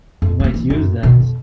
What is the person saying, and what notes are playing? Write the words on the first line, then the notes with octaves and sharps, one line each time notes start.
You might use that.
F2
G3 A#3
E3
F#2
B2 D#3
F2